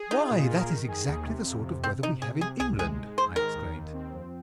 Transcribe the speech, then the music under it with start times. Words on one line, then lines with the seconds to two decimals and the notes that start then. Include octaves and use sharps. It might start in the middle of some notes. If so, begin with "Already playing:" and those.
"Why, that is exactly the sort of weather we have in England!" I exclaimed.
Already playing: G#4
0.11 D#4 F4
0.31 A#2
0.50 A#4
0.69 D#3
0.88 G#4
1.07 D#2
1.26 C3
1.45 F2
1.65 C3
1.83 C3 C4
2.03 C3 D#4
2.21 C3 G#4
2.41 C3 G#4
2.59 C2 G#4
2.79 G#3 G#4
2.98 G#2
3.17 G#2 C5
3.36 D#3 A#4
3.55 D#2
3.75 D#2
3.93 C4
4.13 F2